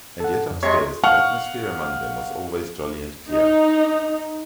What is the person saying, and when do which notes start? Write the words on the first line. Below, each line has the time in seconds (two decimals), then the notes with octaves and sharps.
And yet upstairs the atmosphere among them was always jolly and clear.
0.20 A4 F#5
0.51 F2
0.63 C3 G#3 C#5
1.04 F5 F#5 C#6 F6
3.30 D#4